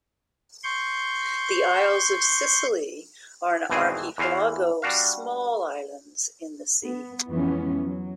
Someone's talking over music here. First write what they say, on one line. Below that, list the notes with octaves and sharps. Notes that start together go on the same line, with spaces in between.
The Isles of Scilly are an archipelago of small islands in the sea.
C6 C#6 G6
G#1 E2 B2 E3 C4 G#4
E2 E3 C5 F5
G3 D4 F#4 F5
B3
F2 E3 G#3 B3 C#4
F#3